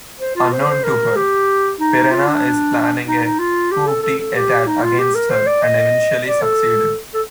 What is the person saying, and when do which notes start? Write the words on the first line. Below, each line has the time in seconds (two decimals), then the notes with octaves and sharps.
Unknown to her, Pirena is planning a coup-de-etat against her and eventually succeeded.
0.20 C5
0.36 F4
0.53 C5
0.68 C5
0.84 A#4
1.16 G4
1.80 D#4
2.12 F4
2.28 D4
3.08 D#4
3.24 D#4
3.39 F4
3.71 G4
3.87 A4
4.03 A4
4.19 A4
4.35 G4
4.67 D#4
4.83 F4
4.99 G4
5.15 A#4
5.30 C5
5.47 D5
5.63 D#5
6.26 D5
6.42 A4
7.14 A4